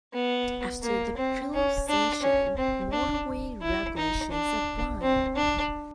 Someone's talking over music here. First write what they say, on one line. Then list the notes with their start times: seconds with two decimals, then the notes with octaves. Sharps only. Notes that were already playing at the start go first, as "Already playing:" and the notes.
After the toll station, motorway regulations apply.
0.13 B3
0.83 A#3
1.17 C4
1.53 C#4
1.88 D4
2.22 C#4
2.57 C4
2.92 D4
3.62 E4
3.97 D#4
4.31 D4
5.02 C4
5.36 D4